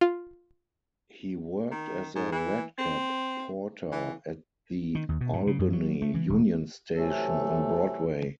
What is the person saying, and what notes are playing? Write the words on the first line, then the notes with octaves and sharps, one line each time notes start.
He worked as a redcap porter at the Albany Union Station on Broadway.
F4
D#3
G#2
E3
C4
E3
D#3
D#2
B2
G2
C#3
F#2
F#3
A3
E3
E1
C3 E3 F#3 A3 A4